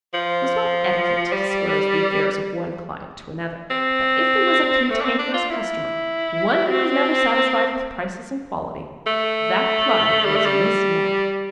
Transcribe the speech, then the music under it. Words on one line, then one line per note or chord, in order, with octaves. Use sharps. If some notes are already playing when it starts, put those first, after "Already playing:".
It was not etiquette to disclose the affairs of one client to another, but if there was a cantankerous customer, one who was never satisfied with prices and quality, that client was Miss Mapp. . . .
F3
G3
C4
A3
D4
C4
D4
F4
E4
C4
A3
G3
A3
G3